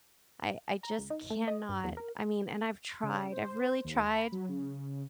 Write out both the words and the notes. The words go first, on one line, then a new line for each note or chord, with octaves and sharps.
I I just cannot I mean, and I've tried I've really tried
A#5
C#2
D#4
A3
D#5
G2
E2
A#4
C#3
C5
D#2
B5
F#3
C#3